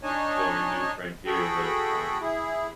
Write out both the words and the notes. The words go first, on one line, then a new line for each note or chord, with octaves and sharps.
exploring new frontiers of, um
D4 D#4 C#5 D#5 G#5 A5
F#4 G#4 A4 G5 B5
E4 G#4